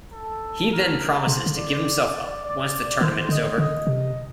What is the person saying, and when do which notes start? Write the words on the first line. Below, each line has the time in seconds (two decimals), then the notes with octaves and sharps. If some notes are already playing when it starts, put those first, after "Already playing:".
He then promises to give himself up once the tournament is over.
0.11 A4
0.70 A#4
0.98 A#4
1.26 C3 C5
1.46 D3
1.55 D5
2.42 D5
3.01 D#3 C5
3.29 D3 D#5
3.58 D3 D#5
3.87 C3